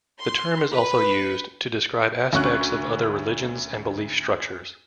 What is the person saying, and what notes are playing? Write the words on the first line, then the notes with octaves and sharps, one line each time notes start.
The term is also used to describe aspects of other religions and belief structures.
C6
B4
D2 C#4 C#6 F#6